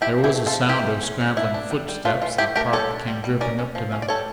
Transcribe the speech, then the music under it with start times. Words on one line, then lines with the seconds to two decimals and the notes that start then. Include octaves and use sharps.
There was a sound of scrambling foot-steps and Park came dripping up to them.
0.01 F3 E4 G4
0.18 F3
0.24 E4 G4
0.35 A3
0.46 F4 A4
0.53 F3
0.69 E3 E4 G4
0.87 E3
1.03 C#4
1.21 C#4
1.37 D4 E4
1.54 D4
1.71 G3
1.88 G3
2.05 A3 F4
2.22 E3 F4
2.38 A3 E4 G4
2.56 A3 G4 A#4
2.73 G3 A4 C#5
2.91 D4
3.08 G3
3.24 G3
3.41 C#4 A#4 D5
3.58 C#4
3.75 F3
3.92 C#4
4.02 D5
4.08 G3 A4 C#5